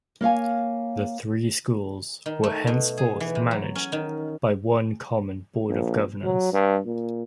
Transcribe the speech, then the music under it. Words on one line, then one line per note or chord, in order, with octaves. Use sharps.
The three schools were henceforth managed by one common Board of Governors.
A#3 C#5 F5 G#5
D#3
A3
B2
G#4
E3
C3
F#3
C#4
D#3
A#1
F#3
G2
A#2